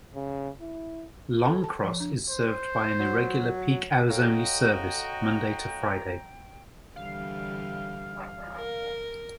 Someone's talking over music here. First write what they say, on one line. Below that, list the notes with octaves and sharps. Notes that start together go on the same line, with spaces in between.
Longcross is served by an irregular peak hours only service, Monday to Friday.
C#3
E4
A4
A5
F3
D4
C5
F#3
F#4 A4 C#5 D#5 F5 G5 A#5
D3 E3 G3 F5
A#4